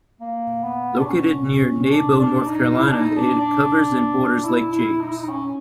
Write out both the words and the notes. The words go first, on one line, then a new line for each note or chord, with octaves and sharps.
Located near Nebo, North Carolina, it covers and borders Lake James.
A#3
B3
D4
C#4
C#4
D4
D4
D#4
E4
D4
D#4
D4
D4
E4
E4
D#4
E4
D#4
C#4